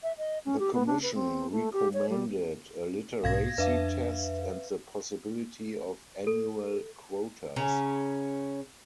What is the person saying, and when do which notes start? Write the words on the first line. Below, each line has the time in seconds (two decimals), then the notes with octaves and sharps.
The Commission recommended a literacy test and the possibility of annual quotas.
0.03 E5
0.18 D#5
0.45 C#4
0.59 G4
0.74 B3
0.87 D4
1.03 B4
1.14 C4
1.51 A3
1.73 G4
1.94 C#5
2.10 G3
3.24 B1 G#2 B2 F5 G#6 A#6
3.58 F2 D4 B4 E5 F5
6.27 A4
7.56 C#3 C#4 A#5